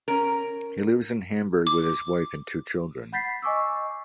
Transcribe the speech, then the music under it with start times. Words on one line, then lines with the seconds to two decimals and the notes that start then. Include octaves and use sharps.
He lives in Hamburg with his wife and two children.
0.08 C#4 A#4
1.67 D6
3.12 F#5 B5 G6 A6 B6 C7
3.42 D#5 G#5 C#6 D6 E6